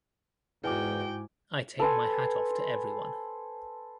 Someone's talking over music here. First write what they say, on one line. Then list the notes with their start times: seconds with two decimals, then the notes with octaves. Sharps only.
I take my hat off to everyone.
0.64 E2 G#2 E4 F#4 G5 G#5 D6
1.79 A4 B4 C5 G#5